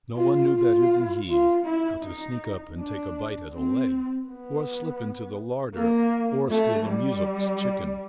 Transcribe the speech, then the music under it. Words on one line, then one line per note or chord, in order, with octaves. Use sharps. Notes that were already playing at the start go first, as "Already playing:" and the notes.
No one knew better than he how to sneak up and take a bite at a leg, or slip into the larder or steal a muzhik's chicken.
F4
F4
F4
E4
D#4
D4
C4
B3
A#3
A3
G3